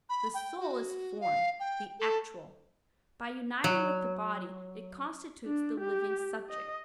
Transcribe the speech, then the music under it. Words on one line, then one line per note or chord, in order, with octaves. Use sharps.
The soul is form, the actual. By uniting with the body it constitutes the living subject.
B5
G5
F#4
F5
G5
A4
F#3
D4
G4
D#5